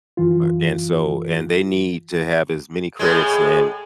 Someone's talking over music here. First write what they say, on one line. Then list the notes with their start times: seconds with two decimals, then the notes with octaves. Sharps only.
Uh, and so, and they need to have as many credits and
0.17 F#2 E3 F4
2.99 A2 G#3